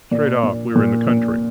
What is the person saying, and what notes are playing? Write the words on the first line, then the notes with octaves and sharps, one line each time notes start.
Straight off, we were in the country.
A#2 D5
A#2
A#2
A#2